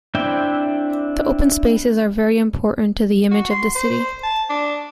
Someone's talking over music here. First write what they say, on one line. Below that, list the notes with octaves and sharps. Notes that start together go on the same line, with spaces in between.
The open spaces are very important to the image of the city.
C4 D4 E4 E5 G5
F#4
C6
C5
A5
D4